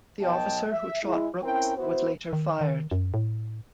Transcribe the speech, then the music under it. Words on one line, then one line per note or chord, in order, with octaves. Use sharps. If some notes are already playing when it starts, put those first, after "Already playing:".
The officer who shot Brooks was later fired.
B1 B2 F#3 D#5 G5 A5
E5
G#3 E4
C4 C#4 E4 A#4 G5
B3 E4 F#4 C5
D#3
D#3
F#2
A2